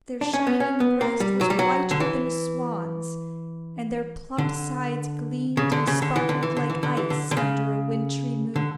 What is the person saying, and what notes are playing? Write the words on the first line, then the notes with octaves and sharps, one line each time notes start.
Their shining breast was whiter than a swan's, and their plump sides gleamed and sparkled like ice under a wintry moon.
D4
C#4
B3
C#4
B3
A#3
G3
F#3
G3
F#3
D3
E3
D3
C#3
D3
C#3
D3
E3
D3
E3
D3
E3
D3
E3
D3
D3
C#3
D3